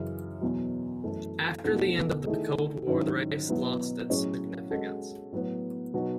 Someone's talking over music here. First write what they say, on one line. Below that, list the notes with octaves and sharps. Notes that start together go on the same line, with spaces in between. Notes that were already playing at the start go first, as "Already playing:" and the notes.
After the end of the Cold War the race lost its significance.
Already playing: F#2 C#3 E3
E2 B2 F#3
F#2 E3 A3
E2 B2 A3 D#4 F#4
D#3 A3 E4 G#4
G#2 D#3 F#3 C#4 E4
B2 F#3 B3 E4
A2 F#3 C#4 G#4 C#5
G#3 C#4 F#4 A4
A2 F#3 B3
B2 F#3 B3 D#4 F#4